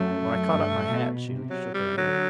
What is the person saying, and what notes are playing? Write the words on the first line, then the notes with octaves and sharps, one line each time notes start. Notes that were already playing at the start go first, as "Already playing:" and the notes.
When I caught up my hat she shook her head.
Already playing: F#2 A3
G2
B2
C3
F#3
G3
D3 F#3